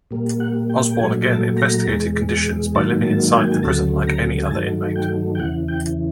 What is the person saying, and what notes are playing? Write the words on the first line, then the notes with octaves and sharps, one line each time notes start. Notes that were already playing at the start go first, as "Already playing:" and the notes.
Osborne again investigated conditions by living inside the prison like any other inmate.
A#2 G3 A#3
F#5
G5
G5
A#2 F#3 A3 G#5
A5
A#5
E2 B2 G#3
G#2 D#3 F#3 A#3 A5
A5
G#5
G5
G#5
D2 C#3 F#3 A3 A5
A#5
G#5
G2 D#3 F#3 A3 A5
G5
G5
E2 C#3 E3 F#5
G5